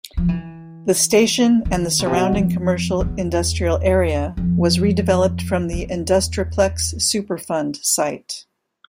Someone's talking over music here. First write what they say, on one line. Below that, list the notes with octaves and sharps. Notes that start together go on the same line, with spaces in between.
The station and the surrounding commercial-industrial area was redeveloped from the Industri-Plex Superfund site.
F3
E3
D#3
B2
C3
B2
F2
E2
F2
E2